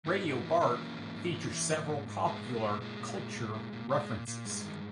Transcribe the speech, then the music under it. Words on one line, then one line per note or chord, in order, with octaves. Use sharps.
"Radio Bart" features several popular culture references.
G#2 B3 D#4
G#2
E3
B3
E3 A#3 C#4
E3
G#2
G#2
E3
E3
G#2
G#2
G#2
A#2 G#3 B3
A#2
G#3
A#2
A#2 G#3
A#2
A#2
A#2
A#2
A#2
A#2 G#3
A#2
A#2
G2 G#3
D#3